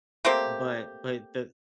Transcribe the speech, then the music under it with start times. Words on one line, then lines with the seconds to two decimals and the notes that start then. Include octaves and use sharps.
But but the
0.25 A3 A#3 C4 G4